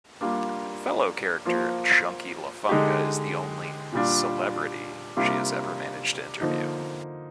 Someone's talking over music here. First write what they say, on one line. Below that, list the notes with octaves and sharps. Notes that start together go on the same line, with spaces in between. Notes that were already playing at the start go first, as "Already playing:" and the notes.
Fellow character Chunky Lafunga is the only "celebrity" she has ever managed to interview.
G3 A#3 D4 F4
F3 A#3 F4
D3 G#3 D#4 G4
A#2 G3 D4 F4
C3 G3 A#3 D4 F4
D3 F3 A#3 D#4